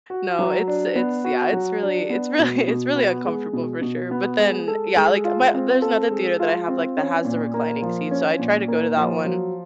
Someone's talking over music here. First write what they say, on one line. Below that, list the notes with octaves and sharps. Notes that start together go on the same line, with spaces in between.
No, it's it's yeah, it's really it's really it's really uncomfortable for sure, but then Yeah, like, my there's another theater that I have, like that has the reclining seats, so I try to go to that one,
F#4
F#3
D4
B3
F#4
F#3
D4
B3
B2
B2
B3
G#3
B2
B2
B3
G#3
A4
G#3
F4
C4
A4
G#3
F4
C4
C#4
A#2
A#3
F3
C#4
A#2
A#3
F3
F#3